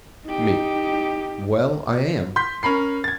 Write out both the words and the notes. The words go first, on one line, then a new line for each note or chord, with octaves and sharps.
ME: Well, I am.
D#4 G4
C6 G6 B6
C#4 A#4 B5 C7
G#6 A6